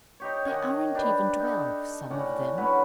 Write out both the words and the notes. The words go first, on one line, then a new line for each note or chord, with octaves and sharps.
They aren't even twelve, some of them.
D#4 G4 C#5
D#3 D#5 F#5 G#5
D4 G4 B4
D#4 A4
A2 C#4 D5 F#5
D3 F#3 C#4 B4